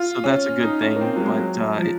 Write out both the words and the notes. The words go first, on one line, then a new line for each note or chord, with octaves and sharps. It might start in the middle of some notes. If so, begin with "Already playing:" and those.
so that's a good thing, but, uh, it
Already playing: F4
C#4
D#4
C#4
A#3
C4
F#3
G#3
F#3
F3